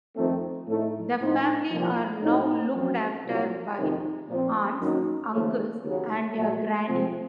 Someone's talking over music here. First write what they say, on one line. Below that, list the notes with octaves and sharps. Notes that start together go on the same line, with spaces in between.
The family are now looked after by aunts, uncles and a granny.
F2 D#3 A3 C4
A2 A3 D#4
A2 F3 C4 D#4
C2 A#2 F3
A2 F#3 A3 C4 D#4
F#2 F3 C4
C2 A#2 F#3
F2 C3 D#3
A#2 F3 C4
F#2 D#3 F#3 A#3 D#4
D#2 C#3 F3 A3
D#2 C#3 F#3
A#2 F#3 A3
C3 F3 C4